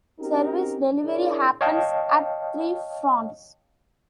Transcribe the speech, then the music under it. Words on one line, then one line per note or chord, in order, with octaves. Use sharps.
Service delivery happens at three fronts.
C4 C#4 D#4 F#4 G4 A#4
D4 E4 G#4 A#4 C#5 D5
C#5 D#5 F5 G5 A5 C#6